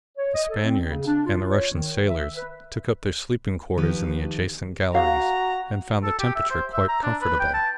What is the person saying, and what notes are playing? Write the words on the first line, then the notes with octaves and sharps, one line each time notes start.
The Spaniards and the Russian sailors took up their sleeping-quarters in the adjacent galleries, and found the temperature quite comfortable.
C#5
D#5
A4
C4
C#3
D4
F4
C#5
D#3
E5
B4
D#3 F3 G4 B4
F#4 F5 A#5
A4
G4
E5
C5
E5
A#5
D4
B4
G5
A5